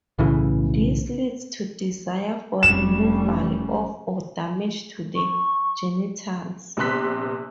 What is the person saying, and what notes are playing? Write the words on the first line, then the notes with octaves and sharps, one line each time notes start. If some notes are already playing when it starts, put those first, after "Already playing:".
This leads to desire for removal of or damage to the genitals.
B1 A2 C#3 E3
F1 G3 C#4 E7
C#6
A#1 C3 B3 C6 F#6 B6